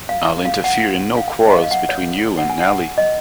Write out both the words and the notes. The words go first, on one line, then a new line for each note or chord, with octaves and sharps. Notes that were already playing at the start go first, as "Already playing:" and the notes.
I’ll interfere in no quarrels between you and Nelly.
F5
F5
F#5
F5
D#5
F5
F5
F#5
C#5
F#5
G#5
F#5
D#5